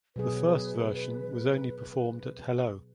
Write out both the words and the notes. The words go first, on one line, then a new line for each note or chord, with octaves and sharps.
The first version was only performed at Hello!
B2 F#3 G#4 B4